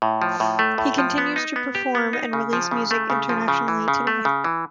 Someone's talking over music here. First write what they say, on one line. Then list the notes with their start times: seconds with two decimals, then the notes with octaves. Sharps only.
He continues to perform and release music internationally today.
0.02 A2
0.22 F3
0.40 A2
0.59 A3
0.78 A2
0.98 F3
1.18 B3
1.36 D#4
1.56 B3
1.75 G4
1.95 B3
2.13 D#4
2.33 C#3
2.53 F3
2.71 C#3
2.91 A3
3.10 C#3
3.29 F3
3.48 C#3
3.68 E3
3.88 C#3
4.07 A3
4.25 C#3
4.44 E3